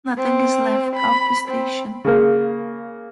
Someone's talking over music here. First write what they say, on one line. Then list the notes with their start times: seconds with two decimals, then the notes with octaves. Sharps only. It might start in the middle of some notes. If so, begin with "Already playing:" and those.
Nothing is left of the station.
0.17 C4
0.96 B5
1.48 C4
2.05 C#3 A#3